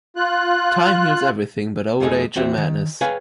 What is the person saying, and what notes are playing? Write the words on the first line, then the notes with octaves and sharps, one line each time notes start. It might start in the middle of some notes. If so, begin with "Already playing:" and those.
Time heals everything but old age and madness.
F4 F#6
F2 F3 A3 C#4 D#4 G#4
E2 C4 F#4 E5
D#3
G#4 B4 C#5 F5 G5 G#5